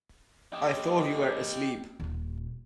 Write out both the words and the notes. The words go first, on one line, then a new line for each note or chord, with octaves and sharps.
I thought you were asleep.
G4 D#5
D#1 A#2